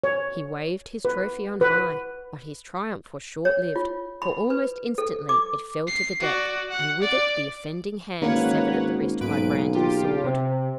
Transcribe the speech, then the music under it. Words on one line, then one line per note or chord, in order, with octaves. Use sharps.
He waved his trophy on high, but his triumph was short-lived, for almost instantly it fell to the deck, and with it the offending hand severed at the wrist by Brandon's sword.
C#5
B4
B4
C#5
F4
B5
B4
A4
D6
C7
F#4 D5
F#5
D5
G#1 A#3 C#4 B4 C#5 F#5
B1 G#2 B4 D7
F4 G4
C3 C4